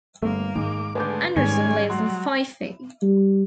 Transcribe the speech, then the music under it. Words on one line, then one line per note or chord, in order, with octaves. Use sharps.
Anderson lives in Fife.
G1 A3 A#3
G#2 D#3 G#3 D6
D3 G#3 A3 B4 D6 G6
G#2 D#3 G3 G#3 C#4 G#4 G#5
F#3 C6
G3